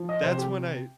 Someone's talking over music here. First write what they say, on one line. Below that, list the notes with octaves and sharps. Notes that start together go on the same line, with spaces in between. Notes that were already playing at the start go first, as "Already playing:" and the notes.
That's when I y
Already playing: F3
D#5
C3 C5
G4